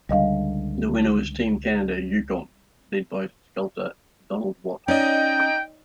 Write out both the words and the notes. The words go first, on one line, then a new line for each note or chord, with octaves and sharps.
The winner was Team Canada - Yukon, led by sculptor Donald Watt.
C#2 D3 G3 D#5 F5
C#4 D#4 D5 D#5 G5